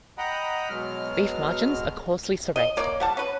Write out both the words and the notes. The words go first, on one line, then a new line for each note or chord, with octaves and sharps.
Leaf margins are coarsely serrate.
D#5 F#5 G5 A#5 B5
B2 F#3 G#3 F6
D#5
A#3 C#5 D5
G3 F#5 A5
C#4 B4